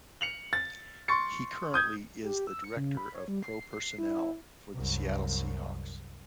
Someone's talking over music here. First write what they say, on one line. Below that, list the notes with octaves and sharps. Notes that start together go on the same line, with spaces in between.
He currently is the Director of Pro Personnel for the Seattle Seahawks.
C#7 F7 F#7
A6
C6 C#6 A6 C#7
D#6 G6 G#6
G4
E6
C#7
C#3
B5
C#5
G3
C7
C7
E4
C2 F#2